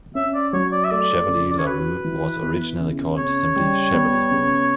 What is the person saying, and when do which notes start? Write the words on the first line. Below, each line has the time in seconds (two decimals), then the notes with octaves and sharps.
Chevilly-Larue was originally called simply Chevilly.
0.15 C#4 E5
0.34 D5
0.53 F#3 C#5
0.72 D5
0.84 E5
0.91 A3 D5
1.28 C#3
1.50 D5
1.58 C#5
1.66 F#4 B4
2.04 E3
2.42 B3
2.80 C#3
3.18 C#3 C#5
3.56 G3
3.93 B3
4.31 C#3